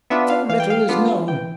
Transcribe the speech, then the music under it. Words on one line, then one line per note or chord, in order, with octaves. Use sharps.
"So little is known."
B3 D4 F4 E5
F5
E3 F5
G5
F5
B3 D4 F4
E3 G5